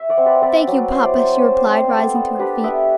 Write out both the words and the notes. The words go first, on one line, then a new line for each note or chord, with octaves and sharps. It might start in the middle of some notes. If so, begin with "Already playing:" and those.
"Thank you, papa," she replied, rising to her feet.
Already playing: E5
D5 F#5
C4
B4 D5
C4 B4 D5
F#3
E4 C5
D5
F#3 C5
D5
C5
C4 D5
C5
C4 D5
C5
B3 D5
A4 C5
B3
D4 G4 B4
B3 E5 G5